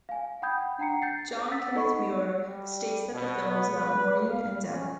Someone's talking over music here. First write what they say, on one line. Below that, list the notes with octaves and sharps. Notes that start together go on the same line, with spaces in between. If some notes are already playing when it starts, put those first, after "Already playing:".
John Kenneth Muir states that the film is about mourning and death.
F5 G#5
F#5 G5 B5 D#6 G6 G#6
D4 F#5 G5 A#5 C7 C#7
G6 A6 C7
F#5 E6 A6 B6
D#4 A4 D#5 F#5 B5 C#6
G3
B2
B3
B4
F5
C#4